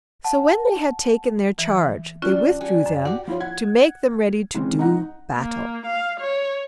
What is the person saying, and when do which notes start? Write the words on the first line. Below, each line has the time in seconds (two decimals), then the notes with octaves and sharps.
So when they had taken their charge they withdrew them to make them ready to do battle.
0.24 F#5 A5
1.59 E3
2.22 G3 C#4 D4 F4 F#6
2.61 G3 F#4 G#5
2.86 F#2
3.05 F#4 G4 F#5
3.27 F3 E4 F4 C#5
3.40 F#5 G#6
4.54 C3 E3 G#3 C4 C#4
4.79 D#4 F#5 A#5
5.36 A#3
5.86 F5
6.20 C#5